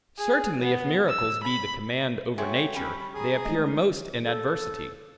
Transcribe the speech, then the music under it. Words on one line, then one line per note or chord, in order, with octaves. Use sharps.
Certainly if miracles be the command over nature, they appear most in adversity.
G#4
B3
E6
B5
F#3 G#3 A3 C#5 G5
G3 C#4 B5
G#4 A#5 D#6
G#3 A3 D#4 D#5
A4